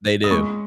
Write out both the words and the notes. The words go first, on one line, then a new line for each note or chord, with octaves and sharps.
They do.
D#6
G#3 C#6